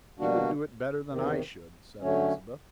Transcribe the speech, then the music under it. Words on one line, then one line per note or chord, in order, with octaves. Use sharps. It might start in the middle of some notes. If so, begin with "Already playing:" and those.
"He would do it better than I should," said Elizabeth.
B2 G3 A#3 D4 F#4
E2 C3 D#3
D3 F#3 A3 C#4